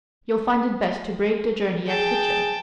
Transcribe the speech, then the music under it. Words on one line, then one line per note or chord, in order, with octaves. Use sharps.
You'll find it best to break the journey at Hitchin.
G#4 G5 A5